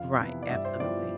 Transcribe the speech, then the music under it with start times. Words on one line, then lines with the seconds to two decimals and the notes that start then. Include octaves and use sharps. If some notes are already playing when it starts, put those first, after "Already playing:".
Right. Absolutely.
Already playing: F2 F5
0.19 C3 E3 B3 E4
0.43 D5
0.50 G2 E5
0.65 C5
0.80 F3 B3 E4 G4 D5